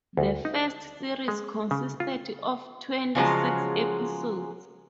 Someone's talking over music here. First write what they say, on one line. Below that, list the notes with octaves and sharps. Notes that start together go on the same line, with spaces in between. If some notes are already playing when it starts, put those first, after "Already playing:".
The first series consisted of twenty-six episodes.
D2
D#4
G#3
C#3
F4
C#3 F3 F#3 G#3